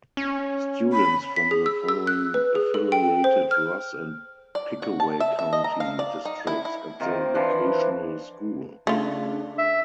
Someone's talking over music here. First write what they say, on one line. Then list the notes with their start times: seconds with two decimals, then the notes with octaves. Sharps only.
Students from the following affiliated Ross and Pickaway county districts at the vocational school.
0.17 C#4
0.93 B5
1.36 B6
1.51 G#4
1.66 E6
1.89 E6
2.07 F#6
2.34 B4
2.55 G#4
2.74 A4
2.92 G5
3.24 C5
3.51 F6
4.55 D5
4.82 F#4
5.00 A5
5.20 E5
5.39 E5
5.53 D#5
5.64 A#5
5.80 F5
5.99 D5
6.25 D#4
6.47 E4
6.65 E4
7.00 C3 D#3 F4
7.34 E3 F3 D4
8.87 C#3 A3 D4 F4
9.58 E5